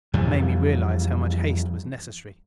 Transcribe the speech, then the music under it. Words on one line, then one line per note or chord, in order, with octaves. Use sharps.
It made me realize how much haste was necessary.
F2 E3 G3